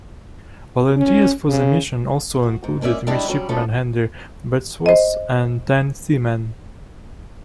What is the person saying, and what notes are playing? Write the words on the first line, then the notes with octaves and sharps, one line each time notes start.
Volunteers for the mission also included Midshipman Henry Wadsworth and ten seamen.
C#4
C#3
F#4
G#2
G#3 A#3 C#4 D5 E5
G3 G#3 D4 E4 G4
D3 F#3 G3 C#4
F3 G3 A3 B3 C#4 D4
C5 D#5